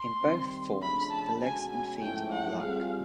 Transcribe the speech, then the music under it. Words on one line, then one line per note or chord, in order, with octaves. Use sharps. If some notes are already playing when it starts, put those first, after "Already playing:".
In both forms the legs and feet are black.
Already playing: C6
D#3 G3 C4
C#3 F3 A3 D4 B5
A5
B2 G#3 C#4 F#4 G#5
G#5
G#2 F3 A3 C#4 E4 G5
F#5
G3 C4 F4 G#4 F5